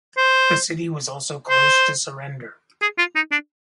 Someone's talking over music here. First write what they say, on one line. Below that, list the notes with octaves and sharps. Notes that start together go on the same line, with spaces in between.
The city was also close to surrender.
C5
C5
G#4
F4
D#4
D4